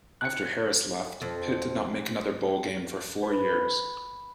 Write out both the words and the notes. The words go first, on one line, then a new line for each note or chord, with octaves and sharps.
After Harris left, Pitt did not make another bowl game for four years.
F#6 C#7
F2
B4